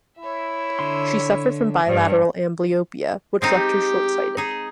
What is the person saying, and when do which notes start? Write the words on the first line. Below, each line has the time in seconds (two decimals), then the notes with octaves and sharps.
She suffered from bilateral amblyopia, which left her short-sighted.
0.19 E4 C#5 E5
0.79 D3 C6
1.88 G2
3.42 G#3 C4 D#4 C5
3.57 G4
4.37 D#4 G#4